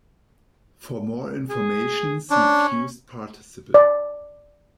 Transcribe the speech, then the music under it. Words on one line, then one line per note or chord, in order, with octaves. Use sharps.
For more information see fused participle.
G#4
C#4 D4
D5